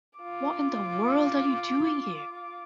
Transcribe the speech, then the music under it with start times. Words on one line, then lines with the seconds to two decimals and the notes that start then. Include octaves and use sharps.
What in the world are you doing here?
0.19 F4 D6